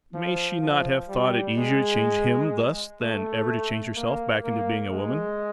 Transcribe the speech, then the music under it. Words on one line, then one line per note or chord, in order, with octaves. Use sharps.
May she not have thought it easier to change him thus than ever to change herself back into being a woman?
F3
F3
G3
G#3
A3
A#3
A#3
G#3